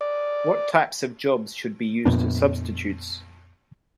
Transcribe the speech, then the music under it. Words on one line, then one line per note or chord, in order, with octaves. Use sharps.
What types of jobs should be used as substitutes?
D5
F2 A#2 B3 D4